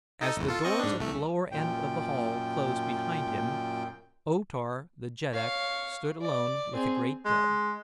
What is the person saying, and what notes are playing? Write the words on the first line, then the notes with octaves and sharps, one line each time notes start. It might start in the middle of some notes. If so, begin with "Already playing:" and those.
As the doors at the lower end of the Hall closed behind him O-Tar the Jeddak stood alone with the great dead.
D#4 A4 D#5
G#1 E2
F4 A4
C4 D#5 C#6
G#2 D4
C2 A3
F#2 A#2 G5
C#5 F5
D5
C4 G#4
G#3